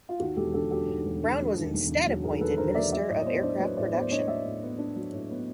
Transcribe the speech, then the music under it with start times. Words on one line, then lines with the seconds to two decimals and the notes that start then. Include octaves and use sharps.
Brown was instead appointed Minister of Aircraft Production.
0.09 F4
0.19 D#2 F#4
0.36 E1 G4 A4
0.53 D3 G4 A4
0.70 F#3 G4 A4
0.88 D#2
1.05 E1
1.22 D3
1.39 F#3
1.56 D#2
1.74 E1
1.90 D3
2.07 F#3
2.23 D#2 G#4 A#4
2.41 E1 A4 B4
2.57 D3 A#4 C5
2.74 F#3 D5 E5
2.92 F#3 D5 E5
3.09 A2 C#5 D#5
3.19 D#5
3.25 B3 C5 D5
3.43 D4 C5 D5
3.60 F#3 B4 C#5
3.77 A2 C5 D5
3.93 B3 C5 D5
4.11 D4 C#5 D#5
4.28 F#3 D5 E5
4.45 A2
4.62 B3
4.78 D4
4.96 F#3
5.13 A2
5.30 B3